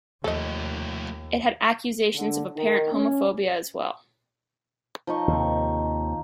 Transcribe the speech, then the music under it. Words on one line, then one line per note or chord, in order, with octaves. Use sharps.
It had accusations of apparent homophobia as well.
D#2 F3 A3 A4 D#5
D3
D#3
C#4
F3 D#4 C#6
D#2 C3